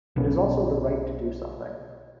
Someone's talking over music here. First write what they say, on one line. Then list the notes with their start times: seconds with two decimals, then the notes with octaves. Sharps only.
It is also the right to do something.
0.16 B1 B2 B3 C#4